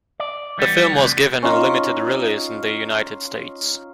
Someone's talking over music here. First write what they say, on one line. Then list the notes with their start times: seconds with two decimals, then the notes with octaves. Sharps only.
The film was given a limited release in the United States.
0.20 D5
0.58 E3 G3 B3
0.94 D2 C3
1.43 C#4 D#4 F4 D#5